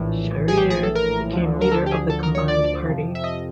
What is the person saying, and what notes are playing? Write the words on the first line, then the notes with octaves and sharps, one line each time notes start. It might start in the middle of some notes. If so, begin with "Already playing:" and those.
Sjahrir became leader of the combined party.
Already playing: A#1 A2 E3
G#4
G4
G#4
A4
A#4
D2 D3 F3
A#4
A4
G4
G#4
A4
A#4
C#5
D5
F2 C3 F3
E5
D#5